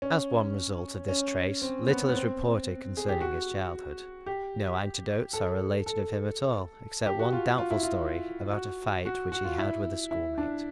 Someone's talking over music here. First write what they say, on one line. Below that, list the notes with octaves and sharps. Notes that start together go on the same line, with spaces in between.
As one result of this trait, little is reported concerning his childhood. No anecdotes are related of him at all, except one doubtful story about a fight which he had with a schoolmate.
C#4
C#4
C4
B3
B3
C4
G#4
G4
F#4
G4
A4
A4
G4
F#4
F4
F#4
F4
E4
F4
F#4
F#4
F#4
F4
E4
E4
D4